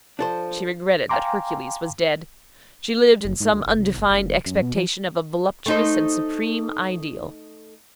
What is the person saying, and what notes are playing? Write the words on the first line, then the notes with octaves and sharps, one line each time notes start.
She regretted that Hercules was dead. She lived in some undefined expectation of a voluptuous and supreme ideal.
F3 D4 A4 C5
F5 G5 G#5 A#5 C6 D6
F#1
G#2
D2
F#1
C2
F#1
F#1
F1
F#2
B2
F3
A3 D#4 C5